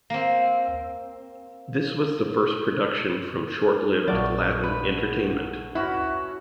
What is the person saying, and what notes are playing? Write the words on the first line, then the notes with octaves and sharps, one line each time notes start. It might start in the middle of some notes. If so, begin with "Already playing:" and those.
This was the first production from short-lived Gladden Entertainment.
A#3 C4
A#1 F#3 A3 B3 D5 F5
B4
C#4 E4 F#4 B4